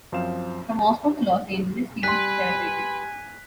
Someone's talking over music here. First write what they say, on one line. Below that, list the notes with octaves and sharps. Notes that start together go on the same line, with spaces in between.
From Moscow to Los Angeles, people celebrated.
F#2 F3 C4 C5 F5 E7
G3 B4 G#5 B5 C6 F#6 B6